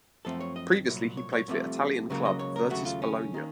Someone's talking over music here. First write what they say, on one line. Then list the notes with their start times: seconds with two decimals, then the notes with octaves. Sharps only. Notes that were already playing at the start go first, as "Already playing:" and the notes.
Previously he played for Italian club Virtus Bologna.
0.25 F#2 F3 A3 C4 A4
0.41 C#5
0.56 D#5
0.87 C2 A#2 F#3
1.17 C#5
1.33 C#5
1.48 C2 C3 F3 A3
2.10 C#2 C#3 F#3 A#3
2.25 D#5
2.39 C#5
2.56 A#4
2.70 D#2 C#3 F#3 A3 F#4
2.85 F4
3.02 C#4
3.34 D#3 A#3